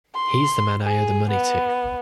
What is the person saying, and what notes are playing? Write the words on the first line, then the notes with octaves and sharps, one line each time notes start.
He's the man I owe the money to.
C6
G#4
B3